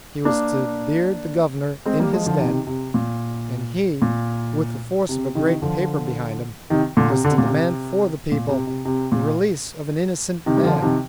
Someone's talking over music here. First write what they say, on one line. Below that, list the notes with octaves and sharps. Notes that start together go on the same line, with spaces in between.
He was to beard the Governor in his den, and he, with the force of a great paper behind him, was to demand for the people the release of an innocent man.
A#3 D4
G#3 C4
G3 A#3
F3 G#3
D3 F3
C3 D#3
C3
A#2
A#2
C3
C3 D#3
D3 F3
C3 D#3
A#2 D3
C3
D3
C3
A#2
C3
A#2
C3
C3
C3
A#2
C3 D#3
G3
D3 F3
F3
C3 D#3